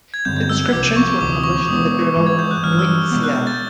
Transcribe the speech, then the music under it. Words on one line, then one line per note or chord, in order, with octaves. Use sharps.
The descriptions were published in the journal "Nuytsia".
G#6
G2 D3 G3 C4 G6
G#6
E6
C2 C3 F3 D6
C#6
D2 C3 E3 D6
D#6
C#6
D6
B2 G#3 B3 D#6
G#2 E3 G#3
G#6
G6
F#6
G2 E3 G3 F6
E6
E6
B2 G#3 B3
F#6
G6
A6